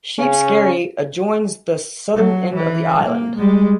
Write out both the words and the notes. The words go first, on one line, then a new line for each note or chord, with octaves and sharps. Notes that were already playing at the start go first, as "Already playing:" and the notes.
Sheep Skerry adjoins the southern end of the island.
C#3 C#4
F#3
E3
A#3
G3 G#3